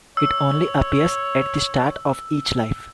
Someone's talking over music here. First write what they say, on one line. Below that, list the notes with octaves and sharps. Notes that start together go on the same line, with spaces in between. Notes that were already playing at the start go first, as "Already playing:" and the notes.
It only appears at the start of each life.
C#5 E6